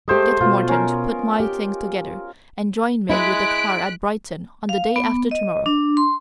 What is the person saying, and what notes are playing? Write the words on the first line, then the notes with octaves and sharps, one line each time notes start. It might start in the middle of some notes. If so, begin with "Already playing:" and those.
Get Morton to put my things together, and join me with the car at Brighton on the day after to-morrow.
G#3 A3 G4 C5 D#5
B2 F4
C#4 A#4
G4
G#3 E4 E5 F#6 B6 D7
F5
B3
D#5
D4
C6